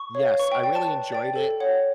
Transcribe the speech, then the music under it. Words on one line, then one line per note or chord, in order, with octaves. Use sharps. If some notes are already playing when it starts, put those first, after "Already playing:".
Yes, I really enjoyed it.
Already playing: C#6
C#5 F5
B4 C#6
G5
D5 G5
A5
B4
D5 G5
A4
C#5 F#5